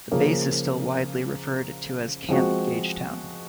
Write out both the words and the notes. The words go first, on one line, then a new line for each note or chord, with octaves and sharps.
The base is still widely referred to as Camp Gagetown.
C#3 F3 A#3 C#4 G#4
F3 G#3 C4 F#4